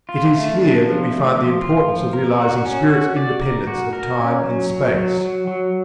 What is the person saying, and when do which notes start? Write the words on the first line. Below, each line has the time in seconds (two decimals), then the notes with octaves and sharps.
It is here that we find the importance of realizing spirit's independence of time and space.
0.09 F4
0.35 A3
0.59 D4
0.85 F3
1.10 A3
1.36 F3
1.62 F4
1.88 F3
2.13 A#4
2.40 F#4
2.65 C#4
2.90 F#4
3.16 D5
3.41 A#4
3.67 F#4
3.93 A#4
4.19 C#4
4.44 F#3
4.69 F#3
4.96 F#3
5.21 F#3
5.47 F#3